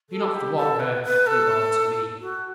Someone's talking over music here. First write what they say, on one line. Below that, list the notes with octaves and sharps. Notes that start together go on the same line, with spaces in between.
Do not thwart her; leave all to me.
A4
G4
A4
B4
B4
A4
F#4